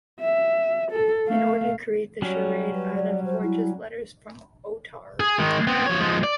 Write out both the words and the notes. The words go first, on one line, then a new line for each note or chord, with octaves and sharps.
In order to create the charade, Ada forges letters from Otar.
E5
A4
A3 F5
F#3 G3 C#4 F#4
B4
D5
C5
E4
G#4
D#3 G#3
B3 C4
F3 C#5
F3 G#3
D5